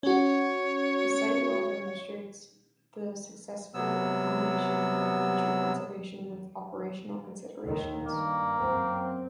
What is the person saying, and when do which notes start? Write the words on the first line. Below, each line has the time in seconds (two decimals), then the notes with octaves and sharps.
The site well demonstrates the successful accommodation of nature conservation with operational considerations.
0.03 C#4 F#4 C#5
3.74 C3 F#3 B3 E6
7.65 D#2 D#3
8.06 G2 A#3
8.60 F#2 C4